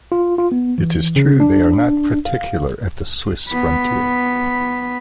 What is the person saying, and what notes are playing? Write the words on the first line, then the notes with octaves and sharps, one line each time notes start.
It is true they are not particular at the Swiss Frontier.
F4
F4
B3
E3
C#3
D4
F5
B3 B5